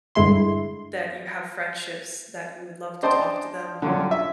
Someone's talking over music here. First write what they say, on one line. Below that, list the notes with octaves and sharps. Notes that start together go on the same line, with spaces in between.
that you have friendships, that you would love to talk to them
G2 D3 G#3 E4 C6
D4 C5 D#5 G5 A5 C6
D3 F#3 G3 C#4 F4
E5